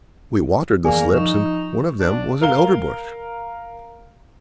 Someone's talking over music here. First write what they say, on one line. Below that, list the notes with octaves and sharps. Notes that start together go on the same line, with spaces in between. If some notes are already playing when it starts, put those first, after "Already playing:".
We watered the slips, and one of them was an Elderbush.
F2 E3 A#3 B3 G#4 D5 G#5
F3 D#4 C#6 E7
D4
A#4 F5 G7